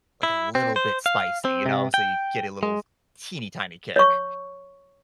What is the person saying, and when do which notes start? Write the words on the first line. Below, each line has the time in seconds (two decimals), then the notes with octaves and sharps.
like a little bit spicy, you know, so you get a little teeny tiny kick.
0.23 E4
0.55 C4
0.76 C5
1.06 F5
1.45 C4
1.66 C3
1.94 G5
2.63 G#3
3.96 C#5 C#6